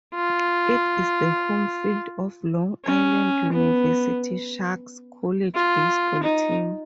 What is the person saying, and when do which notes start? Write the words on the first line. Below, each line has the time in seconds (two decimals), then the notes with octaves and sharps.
It is the home field of Long Island University Sharks college baseball team.
0.15 F4
2.86 C#4
3.53 B3
5.55 F4
6.23 D#4